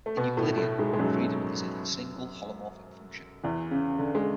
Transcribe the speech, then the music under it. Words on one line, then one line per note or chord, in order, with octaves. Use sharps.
In Euclidean, the freedom is in a single holomorphic function.
A3
B2 B3
A2 A3
A2 A3
G#2 G#3
G#3
F#2 F#3
E2 E3
C#3
D3
G#3